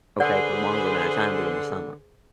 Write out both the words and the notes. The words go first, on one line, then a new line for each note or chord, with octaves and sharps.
okay, for a longer amount of time during the summer,
D3 G#4 B4 C5 D5 F#5